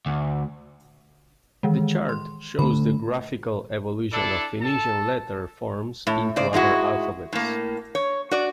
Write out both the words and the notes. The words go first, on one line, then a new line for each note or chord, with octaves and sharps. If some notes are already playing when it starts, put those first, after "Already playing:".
The chart shows the "graphical" evolution of Phoenician letter forms into other alphabets.
D2
D#3 E3 G#3
C6
D3 A3 B5
D4 E4 A4
A4 A5
A2
C#3 C5 D5
G#2 G#3 E4 F#4
A2 A#3
C#5
F#4 D5